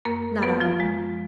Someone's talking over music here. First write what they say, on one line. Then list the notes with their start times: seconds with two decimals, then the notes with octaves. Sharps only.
"Not I."
0.05 F#2 A#3 A#4
0.42 F3 B3 B4
0.61 F3 F4
0.79 F#2 G#3